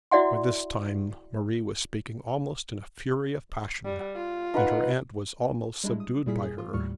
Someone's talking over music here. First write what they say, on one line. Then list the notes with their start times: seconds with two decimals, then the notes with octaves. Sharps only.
By this time Marie was speaking almost in a fury of passion, and her aunt was almost subdued by her.
0.11 E4 F#4 D5 E5 F#5 C6
3.85 G3
4.16 F4
4.54 D#4 B4 F#5
5.84 G3 G#3 D4 E4
6.00 D#6
6.26 A#2 G3 E4 G#4 F5 B6
6.42 G#4
6.58 F3 F4
6.74 D#2 A2 G3 C#6 F6